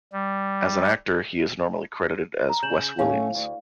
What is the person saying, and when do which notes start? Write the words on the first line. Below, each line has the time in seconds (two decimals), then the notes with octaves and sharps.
As an actor, he is normally credited as Wes Williams.
0.13 G3
2.49 A#5
2.63 C#3 G6 E7 F#7
2.99 A2 A3 C#4 F5
3.35 D2